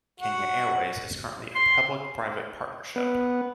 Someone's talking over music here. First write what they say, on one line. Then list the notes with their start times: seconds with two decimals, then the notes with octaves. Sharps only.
Kenya Airways is currently a public-private partnership.
0.20 F#4
1.55 C6
2.96 B3